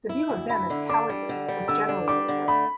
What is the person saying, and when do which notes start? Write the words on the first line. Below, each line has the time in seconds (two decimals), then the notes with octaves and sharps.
The view of them as cowardly was generally universal.
0.09 E4
0.29 D2
0.49 E4 B5
0.70 D3
0.89 D4 D6
1.09 G3
1.29 D3
1.48 G3
1.68 D3 E6
1.88 D4
2.08 G3 D6
2.28 D3
2.48 A3 B5